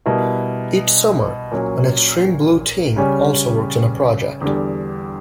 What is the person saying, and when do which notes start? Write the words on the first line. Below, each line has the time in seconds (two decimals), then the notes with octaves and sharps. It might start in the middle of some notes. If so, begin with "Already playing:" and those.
Each summer an Extreme Blue team also works on a project.
0.06 B2 G3 B3 E4 A#4
1.52 A#2 F#3 C#4
2.96 C#3 G3 C#4
4.41 E2 D3 G3